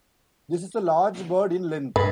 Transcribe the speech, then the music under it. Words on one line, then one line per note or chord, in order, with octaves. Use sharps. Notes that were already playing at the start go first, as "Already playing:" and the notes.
This is a large bird, in length.
G2 B4